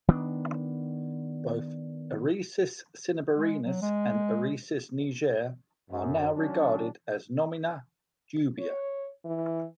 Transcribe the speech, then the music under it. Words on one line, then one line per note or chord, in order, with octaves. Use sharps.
Both "Eresus cinnaberinus" and "Eresus niger" are now regarded as "nomina dubia".
D#3 B3 D4
G#3
F#3
G#3
F#2
D#3 F#3 C#4 D4
C#5
E3